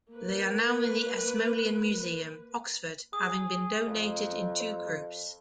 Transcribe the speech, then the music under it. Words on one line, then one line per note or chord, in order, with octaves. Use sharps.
They are now in the Ashmolean Museum, Oxford, having been donated in two groups.
A#3 B4
G#4 D#6
F2